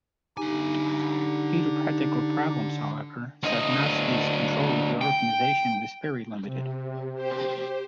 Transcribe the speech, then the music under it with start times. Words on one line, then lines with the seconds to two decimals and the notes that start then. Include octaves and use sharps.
Due to practical problems, however, Sosnkowski's control of the organization was very limited.
0.37 D3 D#4 G4 G#5
3.43 D2 D#5
5.01 G5
6.45 C3
7.15 G4 C5